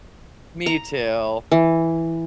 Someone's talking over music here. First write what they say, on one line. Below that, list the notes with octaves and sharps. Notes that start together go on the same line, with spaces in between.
Me too.
A#5
E3